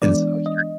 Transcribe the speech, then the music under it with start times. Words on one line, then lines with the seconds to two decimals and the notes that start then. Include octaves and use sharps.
and so he
0.02 E3 G#3 B3 D4 D5
0.46 D#5